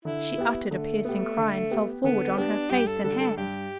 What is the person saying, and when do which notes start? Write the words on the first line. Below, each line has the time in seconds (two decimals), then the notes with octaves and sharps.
She uttered a piercing cry, and fell forward on her face and hands.
0.05 D3 E4
0.38 B3 G4
0.71 D3 A3
1.05 B3 G4
1.38 D3
1.71 B3 G4
2.04 D3 B3
2.38 B3 D4 G4
2.71 G2 G4
2.87 A4
3.04 D3 G3 D4 A4
3.20 A4
3.37 G2 G4